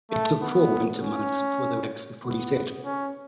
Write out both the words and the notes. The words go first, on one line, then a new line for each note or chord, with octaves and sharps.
It took four winter months for the wax to fully set.
A3
B3
C#4
B3
C#4